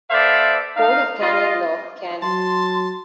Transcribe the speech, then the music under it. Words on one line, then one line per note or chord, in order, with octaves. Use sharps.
"Code of Canon Law", can.
B3 A4 C5 D5 E5 F5
D#4 F5
F4 D#5
F#3 A5 C6